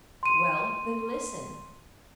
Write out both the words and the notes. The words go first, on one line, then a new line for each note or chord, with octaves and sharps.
"Well, then, listen."
C6 D#7